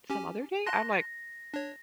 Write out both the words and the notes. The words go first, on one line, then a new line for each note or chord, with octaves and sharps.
some other day?" I'm like
C#4 G4 G#5
A5 C6 F#6 A#6
D4 C#5